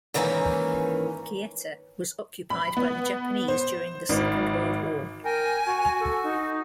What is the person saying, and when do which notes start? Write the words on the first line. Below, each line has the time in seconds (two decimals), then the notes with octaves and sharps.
Kieta was occupied by the Japanese during the Second World War.
0.14 G#2 D#3 E3 A#3 C#4 A#5
2.50 B5
2.77 B3
3.48 C5
4.09 G#1
5.25 A#4 G5 G#5
5.67 F#4
6.01 A4
6.23 D#4